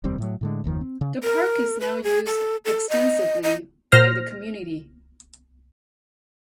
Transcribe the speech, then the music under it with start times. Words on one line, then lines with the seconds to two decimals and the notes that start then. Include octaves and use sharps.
The park is now used extensively by the community.
0.04 F1 D#2 G3 C4
0.18 A2 F#3
0.41 A2 D3 G#3
0.64 F#1 D#2 D#3 F3
0.81 C4
1.01 C#3
1.22 A#4
1.80 B4
2.03 G#4
2.26 A4
2.65 A4
2.89 D#5
3.43 D#5
3.92 A#2 C5 F6 A#6